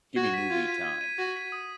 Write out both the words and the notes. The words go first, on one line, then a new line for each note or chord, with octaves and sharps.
Gimme movie times.
F#4 G#6
B6 D#7
F4 G#6
B6 D#7
G#6
B6 D#7
F#4 G#6
B6 D#7
D#6